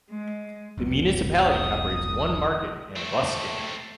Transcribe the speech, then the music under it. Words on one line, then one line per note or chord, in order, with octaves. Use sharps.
The municipality operates one market and a bus stand.
G#3
F1 C2 B2
D#6
A3 C4